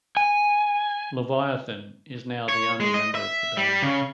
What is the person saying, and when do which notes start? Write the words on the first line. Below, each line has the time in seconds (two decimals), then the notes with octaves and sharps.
Leviathan is now the only member of the band.
0.17 G#5
2.49 C#5
2.80 G#3
2.94 D#5
3.15 E5
3.57 G3
3.82 C#3